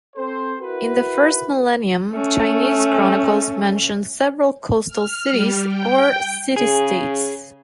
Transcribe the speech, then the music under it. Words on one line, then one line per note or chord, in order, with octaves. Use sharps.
In the first millennium Chinese chronicles mention several coastal cities or city-states.
C4 A4 C5
E4 F#4 A#4 B4
A3 C#4
F6
G3
G5
C#3 G#4